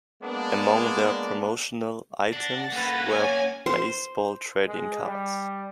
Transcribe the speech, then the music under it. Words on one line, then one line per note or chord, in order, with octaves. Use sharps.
Among their promotional items were baseball trading cards.
G#3 A#3 B3 D4
D4 F#5 A6 A#6
A#3 C#4 A4 B4
C#5 G#5
C5
G#3
G3